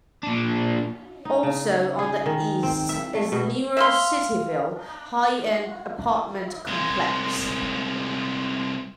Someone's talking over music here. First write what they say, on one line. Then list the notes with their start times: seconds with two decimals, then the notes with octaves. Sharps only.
Also on the east is the newer Cityville high-end apartment complex.
0.23 A#2 D4
1.25 D#4
1.43 C#3
1.99 G#4
2.26 D#3
2.63 C4
2.89 E5
3.15 A3
3.32 B2
3.77 E5 F5 C6
6.67 C2 G#3